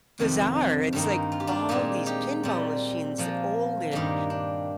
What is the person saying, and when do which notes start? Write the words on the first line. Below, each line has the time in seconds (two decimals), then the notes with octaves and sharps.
bizarre, it's like, all these pinball machines, old and
0.20 F2 C3 D#3 C4
0.93 G2 D#3 A#3 C4 D#4
1.32 F4
1.40 G4
1.47 D4 F4
1.69 A#2 G#3 C4 D#4 G4
2.06 D#4 G4
2.43 A#2 G3 C4
3.18 A#2 F3 A#3
3.91 G2 D#3 G3 A#3 D#4 G4
4.30 D4